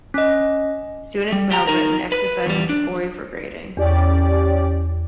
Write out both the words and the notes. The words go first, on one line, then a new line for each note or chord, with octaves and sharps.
Students mailed written exercises to Cory for grading.
C#4 D#5
G3
G4 A#5
D#4 A#4
B4
E2 G3
D4
E2 C#4 G4 D5